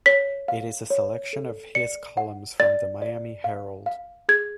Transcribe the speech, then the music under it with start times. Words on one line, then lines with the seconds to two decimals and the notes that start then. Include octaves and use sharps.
It is a selection of his columns from the "Miami Herald".
0.06 C#5 B6
0.48 F5
0.90 C#5
1.33 A4
1.75 D5 C#7
2.17 F#5
2.60 D5 A6
3.02 D5
3.44 F5
3.86 F5
4.29 G#4 G#6